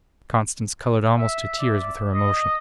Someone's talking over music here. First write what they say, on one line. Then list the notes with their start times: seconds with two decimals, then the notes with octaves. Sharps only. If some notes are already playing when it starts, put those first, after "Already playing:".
Constance coloured almost to tears with her emotion.
1.18 E5
1.59 D5
2.13 D#5